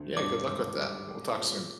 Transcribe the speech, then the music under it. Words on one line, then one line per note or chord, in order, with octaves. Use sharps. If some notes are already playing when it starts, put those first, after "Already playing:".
Yeah. Good luck with that. We'll talk soon.
Already playing: D2
G2 D6
G#1
G3
G#3
A#2